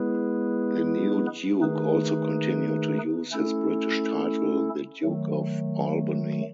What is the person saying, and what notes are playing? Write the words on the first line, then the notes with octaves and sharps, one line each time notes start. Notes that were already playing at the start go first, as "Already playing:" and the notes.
The new Duke also continued to use his British title, the Duke of Albany.
Already playing: G#3 B3 E4 G#4 B4
D#3 A3 D#4 G#4 B4
A3 C#4 E4 A4
D#3 F#3 A3